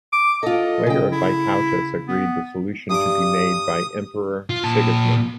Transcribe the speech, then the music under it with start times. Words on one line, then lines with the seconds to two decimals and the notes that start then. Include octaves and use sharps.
Later Vytautas agreed the solution to be made by Emperor Sigismund.
0.13 D6
0.43 F4 A4 D#5
0.86 C#3 G5
1.12 E4
2.08 B3
2.90 G2 D6 D#6
4.50 F4
4.64 A#2 A5